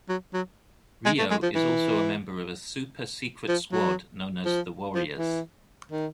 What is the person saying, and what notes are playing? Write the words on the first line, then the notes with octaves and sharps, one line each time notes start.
Rio is also a member of a super-secret squad known as "the Warriors".
F#3
F#3
G#3
A3
G#3
F3
E3
F3
F#3
F3
F3
E3
D#3